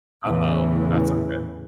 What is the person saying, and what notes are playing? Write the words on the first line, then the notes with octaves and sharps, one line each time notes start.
Uh-oh, that's not good.
E2 A2 C#3 E3